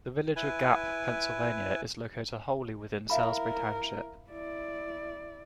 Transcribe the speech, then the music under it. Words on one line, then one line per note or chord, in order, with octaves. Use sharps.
The village of Gap, Pennsylvania is located wholly within Salisbury Township.
E4 B4 G#5
E4 A#4 E5 F5 B5
E4 D5